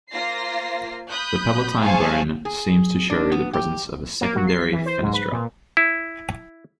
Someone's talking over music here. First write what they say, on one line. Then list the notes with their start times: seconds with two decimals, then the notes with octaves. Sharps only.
The palatine bone seems to show the presence of a secondary fenestra.
0.12 A#3 F4 C5 A#6 C7
1.08 B5 D#6 F#6 G6
1.78 G#4 C5 F5 G#5 A5 C#6
2.45 G#4
3.10 D4
3.32 B3
3.53 G4
4.21 A#3
4.35 F#3
4.47 C7
4.59 B6
4.72 E3
4.86 C5
5.02 G#2
5.13 B4
5.32 A#2
5.77 E4